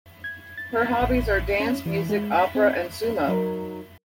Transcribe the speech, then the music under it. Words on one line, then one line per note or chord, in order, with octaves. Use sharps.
Her hobbies are dance, music, opera, and sumo.
G#6
A6
A1
C#4
E3
G#3
B6
C4
F#3 D#4 A#4